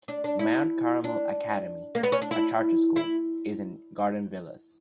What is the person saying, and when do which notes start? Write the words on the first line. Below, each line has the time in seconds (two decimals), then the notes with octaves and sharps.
Mount Carmel Academy, a charter school, is in Garden Villas.
0.08 D4
0.24 D4
0.39 E4
1.04 D4
1.95 A#3
2.03 B3
2.12 C#4
2.22 D4
2.31 E4
2.96 E4